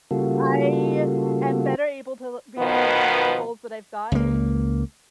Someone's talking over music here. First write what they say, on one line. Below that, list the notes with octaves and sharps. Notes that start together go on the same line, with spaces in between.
I am better able to l reach some of these big goals that I've got and
C#3 G3 A#3 F4 F#4 A4
B2 D#3 F3 B3
C#2 A#3